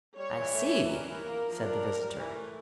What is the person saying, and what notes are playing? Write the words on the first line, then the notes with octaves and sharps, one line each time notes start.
"I see," said the visitor.
G3 C#5
E3
A3
E3
G3 A#4
E3
A#3
F3
D4 A#4
G3
G3
E3
A3